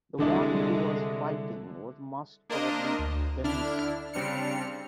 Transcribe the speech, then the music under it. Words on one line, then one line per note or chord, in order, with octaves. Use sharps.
The one who was fighting was most probably Denis.
C2 D3 G#3 D4 E4
A#3 D4 A#4 C5 D#5
D2
D3 D4 E4 F6
C#3 G3 C4 D4 F6 C#7